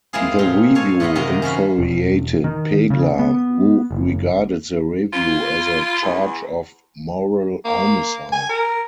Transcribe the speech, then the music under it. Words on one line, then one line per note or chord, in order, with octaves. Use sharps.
The review infuriated Pegler, who regarded the review as a charge of "moral homicide".
G#3 A#3 C4 E4 F4 G#4
A#2 D#4 F4
A4 C#5 F5 G#5
A2 F4 B4 D#5 F#5
F#2 C3 D#3 A#3 A#4 D#5
C#4 F4 F#4 B4
E1
D#3
C#3
B3
F#1
F4
E2
A#3
G#5
A#4